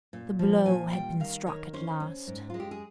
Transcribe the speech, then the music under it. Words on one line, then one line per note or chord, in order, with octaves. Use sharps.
The blow had been struck at last.
A#2
F3
A#2 G#5
G3 G5
D#3 F5
D#3 C#5
C#4 C5
C#4
G#2
G#3 F4
G4
G#4